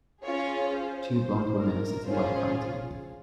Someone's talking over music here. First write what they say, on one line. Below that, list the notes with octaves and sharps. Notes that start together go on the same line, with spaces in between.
Two blond women are sitting by a fountain.
C#4 F4 G#4 C#5
C5
C5
A#4
C#4 F4 G#4 C5